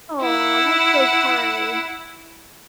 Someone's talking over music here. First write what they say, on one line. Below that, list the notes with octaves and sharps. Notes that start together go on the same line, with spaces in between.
Aw, that's so kind.
E4 F#5